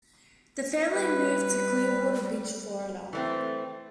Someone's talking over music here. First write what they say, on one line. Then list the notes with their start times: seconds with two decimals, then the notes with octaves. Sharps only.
The family moved to Clearwater Beach, Florida.
0.93 G3 B4
3.13 E3 A3 C4